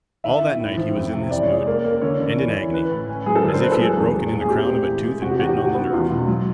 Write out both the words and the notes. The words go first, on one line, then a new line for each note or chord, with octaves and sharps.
All that night he was in this mood, and in agony, as if he had broken in the crown of a tooth and bitten on the nerve.
D#3 E5
D#3
A2
F3
F2
C3
E3 D5
C#5
G#3 D5
A#3
A#3
D3 C#5
D3
E3
E3
E3 B4
A2
C#4
F#3 G#4
A4
D3 A#4
C5
A#3 B4
A4
F#3 G#4
E2
G3
A#2
G#4
C4 G4
A3
E3
G#3
C3 F#4
G4
E2 F#4
G4
D#3 F#4
B3
E2 F4
B2
F#3